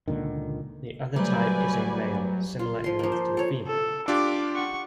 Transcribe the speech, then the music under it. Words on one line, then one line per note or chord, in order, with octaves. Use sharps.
The other type is a male, similar in length to the female.
C#2 A#2 D3 D#3
F#3 G3 A3 B4 C5 D5 G#5 G6
F4
F3 C6
F3 A#3
C5
A4 C#5
A4
D4 F4 G4 D6
F#5 C#6